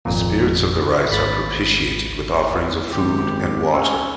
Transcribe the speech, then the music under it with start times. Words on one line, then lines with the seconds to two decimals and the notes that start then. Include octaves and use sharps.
The spirits of the rice are propitiated with offerings of food and water.
0.05 G#1 F2 A#2
1.10 G#1 B5 A6
2.92 G#1 G4
3.73 C4 C#4